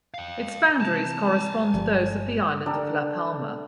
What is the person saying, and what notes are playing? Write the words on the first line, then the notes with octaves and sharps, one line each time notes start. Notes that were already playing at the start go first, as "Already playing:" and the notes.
Its boundaries correspond to those of the island of La Palma.
F5 G5
C3 E3 G#5 A5
G1 F3 G3
D4 G4 A4 A#4